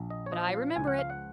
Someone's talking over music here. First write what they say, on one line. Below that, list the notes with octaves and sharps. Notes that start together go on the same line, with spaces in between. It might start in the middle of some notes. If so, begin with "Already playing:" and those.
But I remember it.
Already playing: A#1
D#5
C#5
F3 D#5
F5
C#2 G#5
F#5
F5
F#5